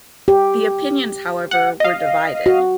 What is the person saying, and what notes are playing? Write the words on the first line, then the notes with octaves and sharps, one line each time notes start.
The opinions, however, were divided.
G4
F#5
D#5 F5
F#4